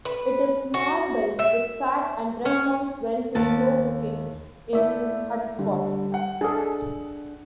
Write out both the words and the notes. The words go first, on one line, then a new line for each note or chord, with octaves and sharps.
It is marbled with fat and responds well to slow cooking in "hutspot".
B4
F#4
E5
C#4
D#2 A5
A3 E4 D5 E5
D3 G3
F#5 G5
D4 G#4 A4